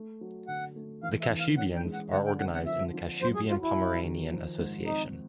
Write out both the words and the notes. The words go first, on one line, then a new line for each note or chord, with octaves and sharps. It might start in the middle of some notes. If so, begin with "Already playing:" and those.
The Kashubians are organized in the Kashubian-Pomeranian Association.
Already playing: A3
F#3
D3 F#5
A3
E3 F5
E5
E3
F5
C#4 F#5
G5
G#3
F#5
D3 F#5
G5
C4 F#5
F#5
F3 E5
F3
F#2 C5
G#4
F#3 F4
E4
F#2
D#3
F3
G#2
C4 D#4